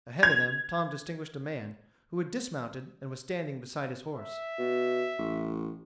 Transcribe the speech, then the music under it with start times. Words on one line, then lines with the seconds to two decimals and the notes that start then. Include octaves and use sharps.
Ahead of them Tom distinguished a man who had dismounted and was standing beside his horse.
0.23 G#6 F7
4.14 E5
4.59 B2
5.18 A1